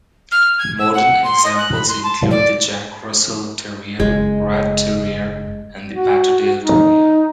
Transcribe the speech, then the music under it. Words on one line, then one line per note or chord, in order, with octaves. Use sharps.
Modern examples include the Jack Russell Terrier, Rat Terrier and the Patterdale Terrier.
F6
G#6
E6
F#5
C6
D#5
F#6
B5
C6
A5
D5
F#1 G#3
F#4
D#4